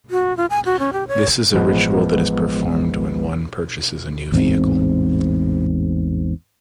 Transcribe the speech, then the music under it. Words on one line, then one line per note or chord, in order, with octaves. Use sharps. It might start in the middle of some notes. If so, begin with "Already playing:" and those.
This is a ritual that is performed when one purchases a new vehicle.
F#4
F4
G#5
F#4
C#4
G4
C#5
A1 F3 G#3 B3 B4
A1 E2 G#2 C4